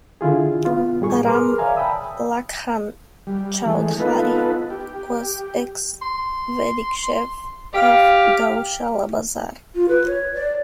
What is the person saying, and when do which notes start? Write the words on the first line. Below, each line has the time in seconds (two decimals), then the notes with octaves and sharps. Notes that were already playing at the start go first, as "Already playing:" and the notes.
Ram Lakhan Chaudhary was ex-vdc chief of Gaushala Bazar.
0.21 D3 E4 F4 G#4
0.65 B3 F4
1.01 A2 G3 G#4 C#6
1.25 G#4 A#4 B4 C6 D6 F6
1.58 C#5 D5 E5 F5 G#5 A#5
1.77 G5 A5 B5 D#6 E6
3.27 G3
3.66 E3 G#3 A3
3.99 B3 D#4 F4 A4 B4
4.70 G4
6.02 C6
7.74 G4 F5
9.75 F4
9.89 B4
10.06 C#5
10.34 D5